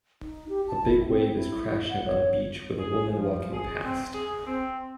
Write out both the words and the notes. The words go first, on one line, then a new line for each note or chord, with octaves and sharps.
A big wave is crashing on a beach with a woman walking past.
D#4
G4
A5
E4
C4
E4
F#5
C#5
G#4
F3
G#4
C4
G#4
C4